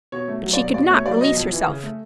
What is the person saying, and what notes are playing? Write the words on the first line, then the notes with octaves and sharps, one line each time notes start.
But she could not release herself.
B2 C#5
A3
F#3
D5
B2
B2 D5
A3 C#5
F#3 D5
B2 D#5
F2
E3
C#3
A3